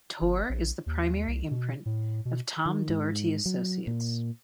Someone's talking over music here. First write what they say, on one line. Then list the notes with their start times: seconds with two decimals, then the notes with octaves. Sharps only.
Tor is the primary imprint of Tom Doherty Associates.
0.21 G1
0.49 A#1
0.86 D#2
1.28 C2
1.51 B2
1.86 A2
2.25 B2
2.66 D#3
2.89 G#2
3.46 F#3
3.87 A#2